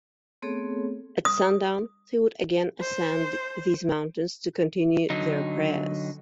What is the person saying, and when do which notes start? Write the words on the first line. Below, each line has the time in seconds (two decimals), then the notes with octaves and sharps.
At sundown, they would again ascend these mountain to continue their prayers.
0.42 A3 B3 C4 G#4 A4 C#5
1.25 D#6
2.81 C5
5.10 D3 F#3 D#4